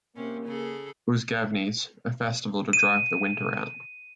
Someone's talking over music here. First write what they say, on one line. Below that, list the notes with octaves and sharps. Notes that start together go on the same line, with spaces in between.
Uzgavenes - a festival to drive the winter out.
C3 A#3 C#4
C#3 G#4 A4
D#7